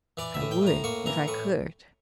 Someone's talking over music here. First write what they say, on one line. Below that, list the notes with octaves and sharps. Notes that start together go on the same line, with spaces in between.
"I would if I could!"
E3 D5
E5
A2
G5
A2
A#5
A#3 C#6
E3 A#5
A2 C#6